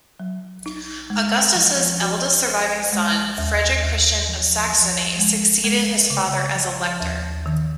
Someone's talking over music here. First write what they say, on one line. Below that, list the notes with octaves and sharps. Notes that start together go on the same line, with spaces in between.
Augustus's eldest surviving son, Frederick Christian of Saxony, succeeded his father as Elector.
F#3
D#4
G#3
F3
F#4
C5
G#3
D#2
D#2
F3
F3
G#3
G#3
C#3
F3
D#2
D#3